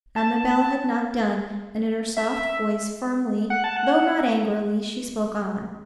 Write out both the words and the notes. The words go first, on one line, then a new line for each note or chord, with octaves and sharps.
Amabel had not done; and in her soft voice, firmly, though not angrily, she spoke on.
A5
E5
F#5
A5
F#5